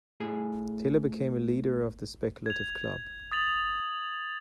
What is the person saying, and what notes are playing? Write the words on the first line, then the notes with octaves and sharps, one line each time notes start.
Taylor became a leader of the Speculative Club.
A2 G#4 G#5
G#6 F7
D#6 A6 F7 F#7